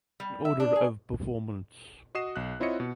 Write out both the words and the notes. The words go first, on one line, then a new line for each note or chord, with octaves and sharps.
In order of performance.
G3
E5
D4
G#4
F#4 D#5 D#6 C7 E7
B1 F#6
C4 E4 F4 C#5 D#5 C#7
B2